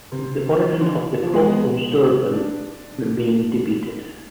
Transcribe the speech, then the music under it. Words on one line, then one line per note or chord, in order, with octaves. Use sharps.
The origins of the cult of Zurvan remain debated.
C3
D3
E3
F3
G#3
B3
D4